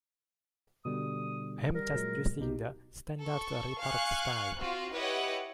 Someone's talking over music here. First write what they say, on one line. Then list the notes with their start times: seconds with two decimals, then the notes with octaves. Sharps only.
I'm just using the standard report style.
0.85 B2 D3 G3 D#6
1.75 G3 A#4
1.93 A#2 F#3 G#3
2.39 B1 B2 D#4 G4
3.21 A4 C#6
3.81 F5 G#5 C#6 F#6
4.60 C4 F4 F#4
4.93 E4 G4 B4 C#5 D#5 F#5